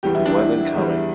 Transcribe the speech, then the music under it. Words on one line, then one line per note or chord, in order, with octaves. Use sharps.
He wasn’t coming.
E2 E3 G3 G4
E4
D4
E4
E2 E3 G3